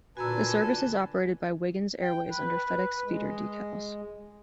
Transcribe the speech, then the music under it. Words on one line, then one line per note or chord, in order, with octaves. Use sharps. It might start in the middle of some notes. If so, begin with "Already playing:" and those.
The service is operated by Wiggins Airways under FedEx Feeder decals.
A#2 D3 F#4 A4 B4 G#5 A#5 E6
G5
B4
G#3